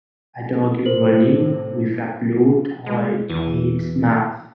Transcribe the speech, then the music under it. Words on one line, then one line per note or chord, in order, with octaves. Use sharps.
A dog running with a blue toy in its mouth.
A2 C3 A#4 C5 F#7
C2 G#3
E2 E3